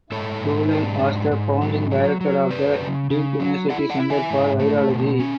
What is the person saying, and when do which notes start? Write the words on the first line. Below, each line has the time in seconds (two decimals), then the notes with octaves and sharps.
Cullen was the Founding Director of the Duke University Center for Virology.
0.12 G#2 A4 C#5
0.42 G#2
0.71 D4
1.01 G#2
1.31 G#2
1.61 F#3
1.91 F#3
2.21 F#3
2.51 F#2 B4 D5
2.81 C#3
3.10 C#3
3.40 F#3
3.70 E4 D5 F#5
3.90 D5 F#5
4.00 E4
4.10 E5 G#5
4.30 G#2
4.60 A3
4.89 B2
5.20 C#4